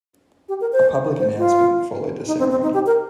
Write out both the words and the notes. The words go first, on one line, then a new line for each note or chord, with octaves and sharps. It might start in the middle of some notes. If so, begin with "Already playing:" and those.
A public announcement followed the ceremony.
G4
A#4
C5
C5
F4
D#4
C4
C4
D#4
G4
A#4